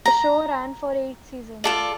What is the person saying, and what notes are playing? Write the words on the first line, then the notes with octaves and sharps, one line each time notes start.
The show ran for eight seasons.
A#5
F4 A4 D5